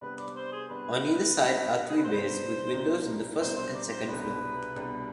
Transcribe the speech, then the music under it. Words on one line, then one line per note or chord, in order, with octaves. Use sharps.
On either side are three bays with windows in the first and second floor.
C3 G3 B3 D4 B4
D5
C5
G#4
C3 G3 B3 D4 B4
C3 G3 B3 D4
G#4
B4
C3 G3 B3 D4 C5
C2 B2 G3 D4
C2 B2 G3 D4 C5
C5
D5
C5
C2 B2 G3 D4 B4
C2 B2 G3 D4